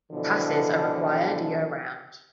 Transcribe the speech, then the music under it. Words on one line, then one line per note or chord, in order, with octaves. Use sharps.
Passes are required year round.
B2 D3 E3 F3